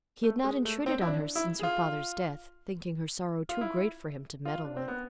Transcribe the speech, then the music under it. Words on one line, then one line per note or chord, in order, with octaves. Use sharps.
He had not intruded on her since her father's death, thinking her sorrow too great for him to meddle with.
A3
G#3
A3
C4
E4
D4
E4
G#4
F4
F4
E4
F4
D4
C4
B3